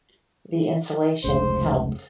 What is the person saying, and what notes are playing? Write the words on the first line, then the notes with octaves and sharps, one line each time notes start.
The insulation helped.
F1 C#2 C#3 C5